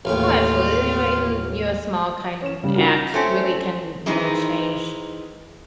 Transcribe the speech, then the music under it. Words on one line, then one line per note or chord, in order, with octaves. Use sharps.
Oh, absolutely, you know, even, you know, a small kind act really can, you know, change
A1 D#2 A2 C4 F4
C#4 E7
C#3 G3
D#4 F4 F#4 A#4
A3 C4 C#4 A4
D#3 E3 G#3 C4 D#4